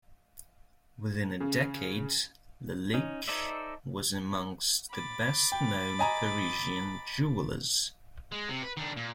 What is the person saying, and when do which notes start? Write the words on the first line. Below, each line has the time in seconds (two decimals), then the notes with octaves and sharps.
Within a decade, Lalique was amongst the best-known Parisian jewellers.
1.40 C#3
2.93 C#4 D#4
3.28 D#4 A4 C5 D5 E5
4.92 B5 D6 A6
5.52 G5
5.99 D#5 G#5 A#5
8.32 G#3
8.49 C3
8.63 B4
8.77 D#3 D4
8.97 A#2